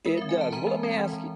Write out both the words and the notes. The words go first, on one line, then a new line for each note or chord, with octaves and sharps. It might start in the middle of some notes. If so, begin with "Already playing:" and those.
It does, well, let me ask y
G#3 A#4
C4 E5
G#5
E3 A5
E3 A#5
G#3
C4
E3
E3